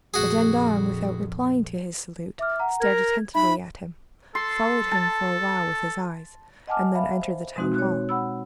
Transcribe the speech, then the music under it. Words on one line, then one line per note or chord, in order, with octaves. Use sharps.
The gendarme, without replying to his salute, stared attentively at him, followed him for a while with his eyes, and then entered the town-hall.
A#1 F2 F#4 G#4
E5 D6 F6
F#5 A#5
A#4 G#6
D#4 E5 B5
A4 C6
A5
D#5 F#5 G#5 A5 D6 F6
E5 F5 B5
C5
B2 G#3 C4 D#4 F#4
C#5 F#6
F#5 B5 E6